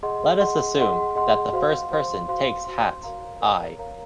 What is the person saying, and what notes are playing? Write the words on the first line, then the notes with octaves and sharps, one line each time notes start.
Let us assume that the first person takes hat "i".
G#4 D#5 F#5 C6
G#4 D#5 F#5 C6
G#4 D#5 F#5 C6
G#4 D#5 F#5 C6
F#4 C5 F5 C6
F#4 C5 F5 C6
F#4 C5 F5 C6
F#4 C5 F5 C6
A#4 C#5 F5 A#5
A#4 C#5 F5 A#5
A#4 C#5 F5 A#5